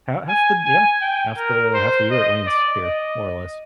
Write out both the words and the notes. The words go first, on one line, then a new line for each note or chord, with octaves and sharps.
Ha half the yeah. Half the half the year it rains here, more or less.
G#5
G#5
G5
A#4
C5
D#5
D5
D#5